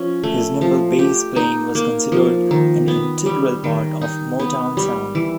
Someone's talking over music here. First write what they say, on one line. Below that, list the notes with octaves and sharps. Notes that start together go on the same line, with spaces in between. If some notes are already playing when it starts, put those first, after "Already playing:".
His nimble bass playing was considered an integral part of the "Motown Sound".
Already playing: F3 C#4
A3
F3
G4
D#4
A#3
F3
D#3
B3
G3
D#3
D#4
B3
G3
E3